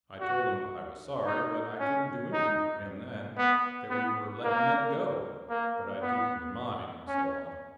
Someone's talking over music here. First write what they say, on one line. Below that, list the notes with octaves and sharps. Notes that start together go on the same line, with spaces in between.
I told him I was sorry, but I couldn't do anything for him then; that we were letting men go, but I'd keep him in mind, and so on.
F#4
D#4
C#4
D#4
B3
B3
A#3
A#3
B3
C#4